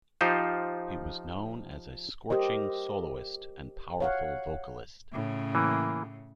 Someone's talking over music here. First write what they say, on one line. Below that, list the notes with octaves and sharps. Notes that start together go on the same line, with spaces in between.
He was known as a scorching soloist and powerful vocalist.
F3 D#4 F4 G4 C5
G4 A#4 C5 D#5
C#5 F5 F#5
A2 C#3
E3 A#3